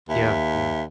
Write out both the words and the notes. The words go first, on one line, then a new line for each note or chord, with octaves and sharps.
Yeah, yeah.
D#2 E5